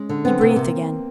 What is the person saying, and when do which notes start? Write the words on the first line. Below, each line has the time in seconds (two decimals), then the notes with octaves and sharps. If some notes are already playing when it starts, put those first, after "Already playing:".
He breathed again.
Already playing: G#3 C#4
0.09 D3
0.25 B3 C4
0.41 C3
0.49 A#3
0.56 C3